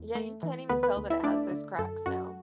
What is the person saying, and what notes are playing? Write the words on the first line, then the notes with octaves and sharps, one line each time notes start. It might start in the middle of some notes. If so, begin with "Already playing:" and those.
Yeah, you can't even tell that it has those cracks now.
Already playing: E2
A3
E3
D2 B3 B4
B3 B4
D2
E4 E5
A3 D4 D5
D3
F#2 A4
F#2 F#4